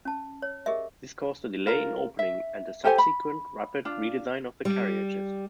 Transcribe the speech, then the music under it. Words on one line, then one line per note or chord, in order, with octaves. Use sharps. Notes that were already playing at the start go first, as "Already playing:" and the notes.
This caused a delay in opening, and a subsequent rapid redesign of the carriages.
C#4 A5
C#5
G4 G#4 A#4 D#5 E5
F4 A#4
E5
G4 A4 C5 G#5
B5
D4 F4
G3